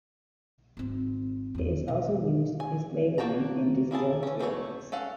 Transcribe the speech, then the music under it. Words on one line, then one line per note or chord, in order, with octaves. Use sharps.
It is also used as flavoring in distilled spirits.
G#1 C4
E2 D4
B2
G#5
A#3 F#4 G5 A5 A#5
A#3 E4 G#4 A5
E3 C#4
G3 A3 C4 D4 C#5
C#4 A4 F5 F#5